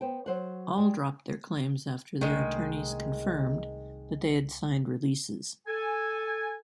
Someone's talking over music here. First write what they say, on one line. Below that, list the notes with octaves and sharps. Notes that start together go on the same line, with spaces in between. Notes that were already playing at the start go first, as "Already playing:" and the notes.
All dropped their claims after their attorneys confirmed that they had signed releases.
B3 C5 G5
F#3 C5 F#5
G3 G#3
C2 D#3 G#3 A3 D4
A4 G#5